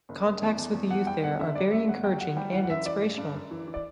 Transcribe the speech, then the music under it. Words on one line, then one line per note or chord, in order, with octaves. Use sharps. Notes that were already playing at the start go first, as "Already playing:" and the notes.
Contacts with the youth there are very encouraging and inspirational.
F#1
F#1
E2
E2
E2
E2 F#5
G3 G5
E1 F#5
D3 E5
G3 D5
F#2 E5
G1 F#5
F#3 G5
F#3 F#5
G3 G5
E3 F#5
F#5
F#2 E5
E3 D5
A1
G2
F#2
E3
E3
D5